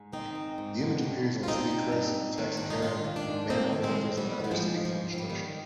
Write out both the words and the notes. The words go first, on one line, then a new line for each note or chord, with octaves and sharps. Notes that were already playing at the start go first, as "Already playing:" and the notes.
The image appears on city crests, taxi cabs, man-hole covers, and other city infrastructure.
Already playing: G#2
D#3 C4 D#4
G#2
G#2
D3
G2
G2
F4
D3 C4 D#4
D3
G2
G#2
D#3
G#2 D4
D#4
D#3 D4 F4
D#3
D4 F4
G#2
D#3 C4 D#4
D#3
G#3 C4
D#3
D#3 G3 B3
D#3 B3
F3 G#3
G#2
G#2 F3
G#2
C4
G3 B3
D#3